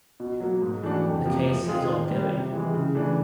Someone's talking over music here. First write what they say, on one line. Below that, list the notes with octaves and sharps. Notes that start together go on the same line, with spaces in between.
The case is ongoing.
B2
F#3 A#3
G#2
E3 A3 D4 F#4
F2
C3 F3 A#3
F3
G#3 C4 F4 G#4
D#3
G3 C4
C3
E3 G#3
C#3
E3 A3 D4